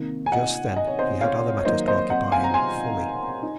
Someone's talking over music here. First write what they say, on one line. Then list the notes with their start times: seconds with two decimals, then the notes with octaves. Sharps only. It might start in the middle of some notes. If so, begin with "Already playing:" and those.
Just then he had other matters to occupy him--fully.
Already playing: C3 D#3 A#3
0.26 G#5
0.32 D#5 F#5
0.76 D#5
0.87 C#5
0.99 C5 D#5
1.21 C#5 F5
1.59 C#5
1.65 D#3 F#3 A#3 D#4 C5 D#5
1.88 C5 D#5
2.10 D#5 F#5
2.32 F5 G#5
2.44 A#5
2.54 G#5 C6
3.43 D#4